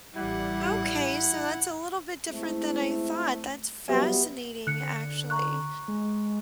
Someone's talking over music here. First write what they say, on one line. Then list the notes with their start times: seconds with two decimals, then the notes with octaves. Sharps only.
Okay. So, that's a little bit different than I thought, that's fascinating, actually.
0.15 A1 G3 E4 F#5
2.29 G#3 A3 C4 E4
3.89 F#3 G3 B3 G4 E5
4.67 D3 F#6 C#7
5.30 A#5 C#6 F#6
5.88 G#3